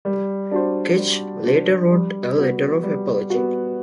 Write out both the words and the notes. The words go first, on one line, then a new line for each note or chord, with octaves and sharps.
Ketch later wrote a letter of apology.
G3
D4 F#4 C5
G3
D4 F#4 C5
G3
B3 F#4
G3
B3 F#4